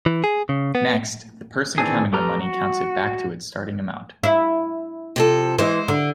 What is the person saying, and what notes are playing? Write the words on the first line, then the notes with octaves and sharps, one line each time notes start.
Next, the person counting the money counts it back to its starting amount.
E3
G#4
C#3
B3
D#3 E3 C4 D4 G#4
A3 G4 B4 A#5 F6
F#4
E4
C3 F3 A4
E3 G#3 C5
D3